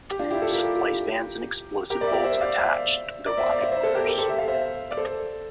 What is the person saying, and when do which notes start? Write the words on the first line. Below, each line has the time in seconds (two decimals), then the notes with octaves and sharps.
Splice bands and explosive bolts attached the rocket motors.
0.11 G4
0.19 D4 F4
0.31 E4 G4
0.42 F4 A4
0.53 G4 A#4
1.90 G4 A#4
2.01 A#4 D5
2.07 E5
2.13 A#4 D5
2.24 C5 E5
2.41 D5 F5
2.58 C5 E5
3.26 A#4 D5
3.37 C5 E5
3.50 D5 F5
3.60 C5 E5
3.72 C5 E5
3.83 A4 C5
3.94 G4 A#4
4.07 G4 A#4
4.18 A4 C5
4.29 E5
4.38 F5
4.48 C5 E5
4.91 D5
4.97 A4 C5